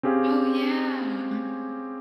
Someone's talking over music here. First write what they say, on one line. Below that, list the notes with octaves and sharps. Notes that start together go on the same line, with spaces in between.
Oh, yeah, m
C4 C#4 G4 G#4 F5